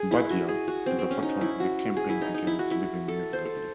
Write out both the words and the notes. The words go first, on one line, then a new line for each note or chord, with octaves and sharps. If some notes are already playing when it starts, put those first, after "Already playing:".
Baddiel is a patron of the "Campaign Against Living Miserably".
Already playing: G#4
E4
F#4
G#4
F#4
C4
C4
C#4
D#4
E4
F#4
G#4
E4
D#4
D#4
E4
F#4
E4
A4
C5
A4